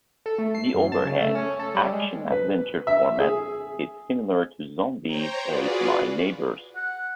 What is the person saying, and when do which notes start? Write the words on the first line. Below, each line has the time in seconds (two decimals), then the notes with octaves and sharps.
The overhead, action-adventure format is similar to "Zombies Ate My Neighbors".
0.26 A4
0.39 A3
0.55 C7
0.74 F#2
0.92 A5
1.05 C#3
1.21 A3
1.35 C#4
1.59 A4
1.75 G3
1.92 G#3
2.32 B4
2.87 E5
3.20 G#4
5.06 C5 C#5 G5 A#5
5.40 F4 F#4 G#4 B4 D5
6.76 F#5